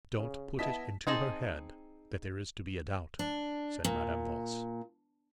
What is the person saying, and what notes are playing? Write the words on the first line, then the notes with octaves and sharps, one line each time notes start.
'Don't put it into her head that there is to be a doubt,' said Madame Voss.
C#3
B3 E4 D#5 A5 B6
C4 D#4 G#4 D#5 A5
D4
A#2